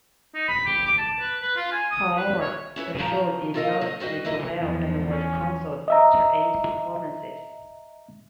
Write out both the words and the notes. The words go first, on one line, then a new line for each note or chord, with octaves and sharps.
However, the show did not do well and was cancelled after eight performances.
D#4
B5
G4
D6
A5
B4
B4
F4
G#5
D#6
B4
C#5
C#4 E4 B4 C#5
C#3 F3 A#5
A#3 F4 A4 A#4 D#5 F5
D3 D#5
G3 F#4 B4 D#5
E3 A#3 E4 D#5
E2 E3 F3
C#4
D#5 E5 A#5